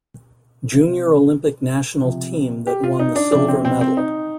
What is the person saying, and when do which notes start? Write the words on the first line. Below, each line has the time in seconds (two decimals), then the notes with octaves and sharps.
Junior Olympic National Team that won the silver medal.
0.72 C3 F3
2.02 C3 F3
2.67 G4
2.84 F4
2.99 D#4
3.16 D4
3.32 C3 F3 D4
3.48 C4
3.65 C4
3.81 C4
3.97 D#4